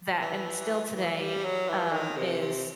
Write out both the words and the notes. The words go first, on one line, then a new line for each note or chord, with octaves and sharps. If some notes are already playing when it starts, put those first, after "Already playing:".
that and still today, um, is
E3
E3
G3
F#3
E3
D#3
C3
C3